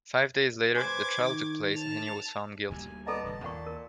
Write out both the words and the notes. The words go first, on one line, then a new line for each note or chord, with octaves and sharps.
Five days later, the trial took place and he was found guilty.
B4 C5 G#5 D6 G#6
D#3
A5 F7
D2 A#2 G3 G#5
B3 A4 D5 D#5 A5 A#5
E1 G2 D3 A5
D#2 A#2 F#5 C#6
A#4